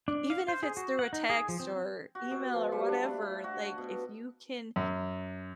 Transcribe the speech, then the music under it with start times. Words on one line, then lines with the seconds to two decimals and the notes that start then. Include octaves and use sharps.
even if it's through a text or email or whatever, like, if you can
0.08 D4
0.30 F5
0.48 C5
0.63 G#4
0.77 F#4
0.99 F#5
1.13 D#4
1.30 G#4
1.49 F3
1.60 C4
2.15 F#4
2.31 B2
2.54 F3
2.72 G3
2.89 D4
3.03 A3
3.22 E4
3.44 F#4
3.78 B2
4.76 F#2